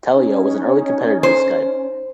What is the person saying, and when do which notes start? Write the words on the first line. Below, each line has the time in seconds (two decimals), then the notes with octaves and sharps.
Teleo was an early competitor to Skype.
0.13 C#4 D#4
1.23 C5